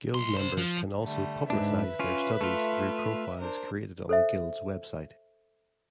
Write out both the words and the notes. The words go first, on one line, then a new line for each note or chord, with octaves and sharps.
Guild members can also publicise their studies through profiles created on the Guild's website.
B1 C6
C2 C5
F3
D3 G3 A3
G#2 D4 B4 E5
C#4 F4
A3 F4
D4 A#4 C5
A4 C5 E5